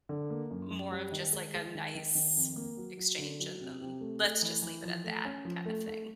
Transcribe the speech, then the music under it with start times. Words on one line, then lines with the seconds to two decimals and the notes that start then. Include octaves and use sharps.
more of just, like, a nice exchange and and let's just leave it at that, kinda thing.
0.09 D3
0.30 A#3
0.51 F#2
0.71 F#2
0.91 G3
1.12 D#3
1.32 G#3
1.54 G#3
1.75 D#3
1.95 D#3
2.15 D#3
2.36 F2
2.56 A#3
2.77 F#3
2.97 F#3
3.18 D3
3.40 F#3
3.61 C3
3.81 C3
4.01 A3
4.22 A3
4.42 E3
4.62 E3
4.83 F3
5.04 A3
5.25 C#4
5.45 F3
5.66 A3
5.87 A3